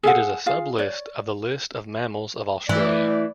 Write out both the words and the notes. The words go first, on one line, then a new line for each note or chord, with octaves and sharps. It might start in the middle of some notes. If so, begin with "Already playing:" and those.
It is a sub-list of the list of mammals of Australia.
G#4 A4 F5 F#5
F4 G#4 F5
C#5 D5
E3 A3 D5